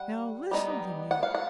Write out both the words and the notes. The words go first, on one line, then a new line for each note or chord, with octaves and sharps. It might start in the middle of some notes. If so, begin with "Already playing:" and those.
Now listen to me.
Already playing: G3 F#5
G3 B3 D#4
F#5
F5
F#5